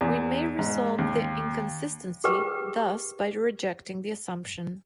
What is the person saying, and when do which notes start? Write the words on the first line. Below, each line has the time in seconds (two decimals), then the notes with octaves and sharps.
We may resolve the inconsistency, thus, by rejecting the assumption.
0.01 E2
0.59 G#2
0.99 D#2
2.24 G4 G#4 A#4 B4 G5